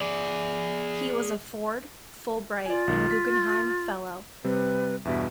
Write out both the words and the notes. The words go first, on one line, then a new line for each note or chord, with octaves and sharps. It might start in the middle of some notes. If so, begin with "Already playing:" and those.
He was a Ford, Fulbright and Guggenheim Fellow.
G#4 D5
F4 D5 G#5
B1 D#3
B6
C3 G3 C4 B4
E2 G2 B2 E5